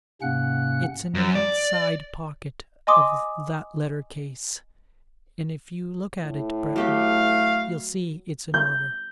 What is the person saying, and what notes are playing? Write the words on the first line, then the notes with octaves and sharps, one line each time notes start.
It's in an inside pocket of that letter-case, and if you look at it, Breton, you'll see it's in order.
G#2 C3 A#3 C#4 F#5 F#6
F#2
D5
D#5 G#5 C6 D6 D#6
A2
F#3 A3 G4 B4 F5
G6